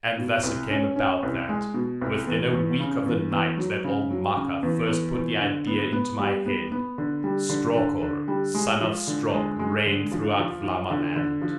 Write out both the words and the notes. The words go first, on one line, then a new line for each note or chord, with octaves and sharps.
And thus it came about that, within a week of the night that old Maka first put the idea into my head, Strokor, son of Strok, reigned throughout Vlamaland.
B2
C2
C#4
C#4
C2
G#3
B2
C2
E2
E2
C#3
E2
E2
F#3
C#3
F#3
C#3
E2
E2
E2
D3
B3
B3
G3
B3
B3
D3
G3
D3
D3
D3
G3
G#3
F3
D3
G#3
G#3
D3
F3
F3
F3
D3
D3
F3